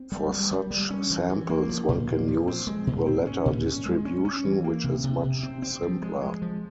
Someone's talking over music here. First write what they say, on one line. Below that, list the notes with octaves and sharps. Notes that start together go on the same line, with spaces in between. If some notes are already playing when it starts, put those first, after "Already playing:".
For such samples one can use the latter distribution, which is much simpler.
Already playing: C4
G3
G3
G3
G3
C#4
E3
E3
A#3
F3
A#2
A#3
F3
C4
G#3
A#2
C4
C#4
A#2
C#4
G#3
C#4
C#4
E3
A#3
C3
C3
C3
C4
C4
F3
G#3
G#3
F3